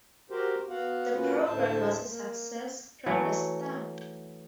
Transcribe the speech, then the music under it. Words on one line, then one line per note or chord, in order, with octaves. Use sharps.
The programme was a success from the start.
F#4 G4 A#4 C5
B3 F#4 F5 F#5
C#3 A#3 C#4 F4 F#4 B4
D2 A2 C5 E5 A5
A#3
E3 F#3 A3